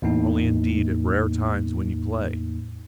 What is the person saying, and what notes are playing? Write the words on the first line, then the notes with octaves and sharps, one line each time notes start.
Only indeed at rare times when you play.
E2 A2 A#3 D#4